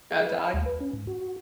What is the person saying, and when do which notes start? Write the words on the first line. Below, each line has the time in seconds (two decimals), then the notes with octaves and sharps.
A dog?
0.11 G#4
0.27 B4
0.39 B5
0.54 D#2
0.66 B4
0.80 C#4
0.93 G#2
1.07 F#4